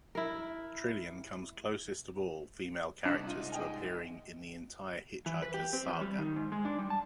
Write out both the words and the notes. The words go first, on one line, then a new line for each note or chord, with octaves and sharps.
Trillian comes closest of all female characters to appearing in the entire "Hitchhiker's" saga.
E4 A#4
C2 C3 D4 D#4 C5 E5 F#5
G#3 D#4 F4 D#7
D#5 G5 G#5
E3
B4
G4
C4
E2
G3
D#3
G#2
G#3
D4
G3
A5